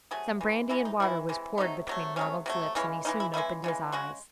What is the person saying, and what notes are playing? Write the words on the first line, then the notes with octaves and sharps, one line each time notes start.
Some brandy and water was poured between Ronald's lips, and he soon opened his eyes.
C3 F#3 A3 G#4
C3 E3 G#3
C3 E3 G#3 E4
D#4
C3 E3 G#3 E4
C3 E3 G#3
C3 F#3 A3 D#4
C3 F#3 A3
C3 F#3 A3 C#4
C3 F#3 A3
C#3 E3 G#3 C#4
C#3 E3 G#3 D#4
E4
C#3 E3 G#3 E4
C#3 E3 G#3
C#3 G#3 F#4